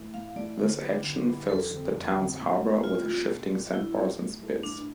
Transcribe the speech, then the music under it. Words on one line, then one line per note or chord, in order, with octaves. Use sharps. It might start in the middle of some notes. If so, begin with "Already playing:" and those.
This action fills the town's harbor with shifting sandbars and spits.
Already playing: A2 E3 A3
A2 F5
A3 D5
E3
D3 C5
G3 B3 E4 B4
D3
G3 B3 E4 B4
F2 A4
D3 G3 C4
F2
D3 G3 C4
A2
G3 C4
A2 F4
G3 C4
B2
G3 D4 F4 A4
B2 E4
G3 D4 F4 A4
A2
G3 B3 E4 A4
A2 D4